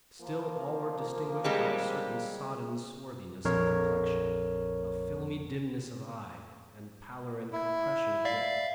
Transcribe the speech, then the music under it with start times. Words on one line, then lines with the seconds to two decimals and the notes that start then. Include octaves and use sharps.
Still all were distinguished by a certain sodden swarthiness of complexion, a filmy dimness of eye, and pallor and compression of lip.
0.21 F3 A#3
1.44 G3 G#3 C4
3.45 A#1 F2 A#4 C#5
7.53 E4
8.25 D5 E5 F5